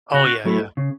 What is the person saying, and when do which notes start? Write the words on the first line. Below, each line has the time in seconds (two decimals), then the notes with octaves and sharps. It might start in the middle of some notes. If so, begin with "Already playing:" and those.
Oh, yeah, yeah.
0.13 C#3 F#4
0.45 F#3 A3 E4
0.77 C#3